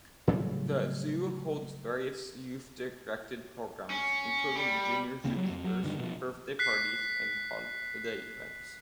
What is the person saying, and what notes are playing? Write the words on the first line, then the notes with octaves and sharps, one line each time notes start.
The zoo holds various youth-directed programs, including Junior Zookeepers, birthday parties and holiday events.
A2 C#3 F#3 G3
C#4
G3
D1 C#3 A#3 C4
F#3 G3
F2
F#3
G2 D3 D#3
B2 F3
F#6 B6 C7